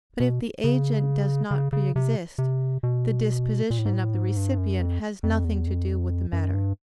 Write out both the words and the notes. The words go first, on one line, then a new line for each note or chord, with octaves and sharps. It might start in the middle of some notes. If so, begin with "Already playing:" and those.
But if the agent does not pre-exist, the disposition of the recipient has nothing to do with the matter.
B2
C#3
C#3
C#3
C3
C3
B2
A#2
A2
G#2
A2
G#2
G2
F#2
F2
F2
E2
F2
F#2
G2